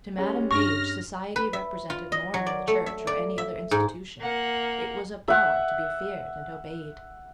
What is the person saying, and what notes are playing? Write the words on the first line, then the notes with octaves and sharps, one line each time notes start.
To Madam Page society represented more than the church or any other institution. It was a power to be feared and obeyed.
G3 G#3 C#4
G2 D4 C#6 F6 A#6
B4
E5
F4
D#5
F#3
D5
A3
E5
D5
E5
G#2
A#3 F#5
E5 F#5